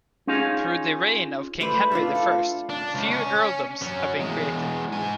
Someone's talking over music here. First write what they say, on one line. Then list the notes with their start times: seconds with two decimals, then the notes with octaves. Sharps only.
Through the reign of King Henry the First few earldoms had been created.
0.27 C#4 D#4 F4 G#4 F5
1.61 A3 B4 C5 D5
1.91 A3 D4 F4
2.15 A4
2.70 D4
2.95 C#2
3.11 C#4
3.82 F#3 C#4
4.20 E2 G#3
4.92 G#2 G#5